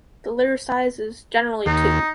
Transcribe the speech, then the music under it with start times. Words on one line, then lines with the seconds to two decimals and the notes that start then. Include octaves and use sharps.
The litter size is generally two.
1.66 D#2 D#4